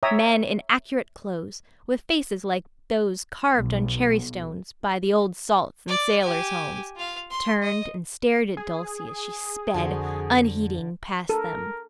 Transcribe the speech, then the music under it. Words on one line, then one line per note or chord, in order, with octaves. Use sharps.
Men in accurate clothes, with faces like those carved on cherry stones by the old salts in sailors' homes, turned and stared at Dulcie as she sped, unheeding, past them.
C#5 E5 G5 A#5 D#6
B1
D5
G4 G#5
F4 F5
C6
D#5
G#4
F2 D3 F#4 C5
A4 A#4